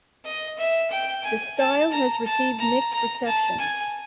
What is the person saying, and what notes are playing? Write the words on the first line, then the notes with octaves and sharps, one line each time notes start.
The style has received mixed reception.
D#5
E5
G5
G#5
A5
A#5
A5
A#5
A#5
A5
G#5